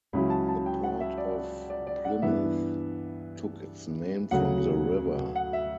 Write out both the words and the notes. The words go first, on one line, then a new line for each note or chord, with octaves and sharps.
The port of Plymouth took its name from the river.
C#2 C#3 F#3 C#4 E4 B5
A5
A5
G5
F#5
E5
D5
D5
D5
F#5
G2 E3 B3 D4 E5
D2 C#3 F#3 A3 F#5
F#5
E5